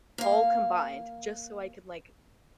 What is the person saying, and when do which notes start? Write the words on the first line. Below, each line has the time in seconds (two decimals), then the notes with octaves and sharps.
all combined, just so I can, like,
0.18 A#3 F5